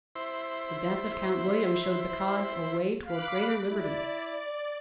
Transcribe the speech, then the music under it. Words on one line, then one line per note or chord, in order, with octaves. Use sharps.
The death of Count William showed the Cods a way toward greater liberty.
E4 C5
F5 B5 D6 F#6
E4 D5